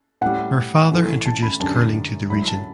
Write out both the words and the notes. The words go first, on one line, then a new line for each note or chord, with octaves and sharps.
Her father introduced curling to the region.
A2 G3 F#5
A2 E3 A3
A5
B5
F#2 D3 G3 A5
A2 F#3 A3 B5
A5